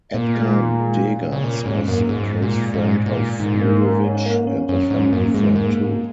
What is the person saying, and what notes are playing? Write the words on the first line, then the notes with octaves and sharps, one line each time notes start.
Edgar Degas was a close friend of Ludovic and a family friend too.
A#2 A#3
G#3
D#3
G#3
C#4
C#3
A#2 A#3
G#2 C#4
F#2 A#3
G#2 G#3
A#2
G#2
A#2
G#2 D#3
A#3
A#3
C#4
C#4
A#3
C#4
F#2 C#4
G#2 C#4
F#2 A#3
G#2 G#3
G#2 A#3
A#3